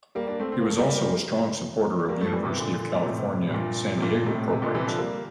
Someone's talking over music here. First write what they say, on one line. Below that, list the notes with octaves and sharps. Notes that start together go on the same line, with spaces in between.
He was also a strong supporter of University of California, San Diego programs.
G3 A#3
A#3 D4
A3 C4
C4
A#3
A3
G3 A#3
G3 A#3
F3 A3
E3 G3
C3 E3
A#2 D3
A#2
A2 C3
C3
G2 A#2
C3
G2 A#2
A2 C3
C3
A#2 D3
C3 E3
D3 F3
G3 A#3